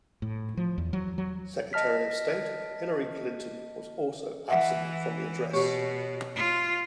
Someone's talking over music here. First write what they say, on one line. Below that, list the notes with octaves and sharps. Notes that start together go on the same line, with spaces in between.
Secretary of State Hillary Clinton was also absent from the address.
A2
F3
E2
F#3
F#3
D#5 A5 F6 B6
E3 E5 F#5
B2 G4 C#5 C#6
F4